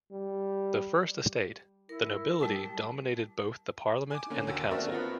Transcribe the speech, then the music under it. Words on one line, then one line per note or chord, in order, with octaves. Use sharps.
The first Estate, the nobility, dominated both the parliament and the council.
G3
E4 A#4
G3 G4 G5 A5
G#5 D6
D3 A#3 C#4
D#2 F#4 E6
A3 C4 D4 F#4 A#4 E5
B3 F4